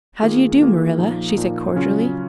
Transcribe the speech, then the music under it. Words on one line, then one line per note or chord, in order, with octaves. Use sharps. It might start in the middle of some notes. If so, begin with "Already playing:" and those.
"How do you do, Marilla?" she said cordially.
D#3 A#3 F4 G#4
D#3 A#3 F4 G#4
A#2 F3 A#3 D#4
A#2 F3 A#3 D#4
C#3 F#3 C#4 F4